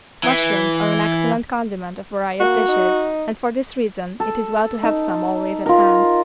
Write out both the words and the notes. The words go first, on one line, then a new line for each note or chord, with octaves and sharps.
Mushrooms are an excellent condiment of various dishes and for this reason it is well to have some always at hand.
E3
A#3 F#4
D#4
A4
D#4
F4 A#4